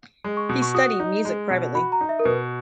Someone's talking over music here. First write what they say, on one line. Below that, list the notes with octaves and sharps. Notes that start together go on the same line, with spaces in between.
He studied music privately.
G#3
C#6
B2
C#6
F#4 D#6
D#4
G#3
B2
F#4 B5
A#5
D#4
E5
A#4
B2 B4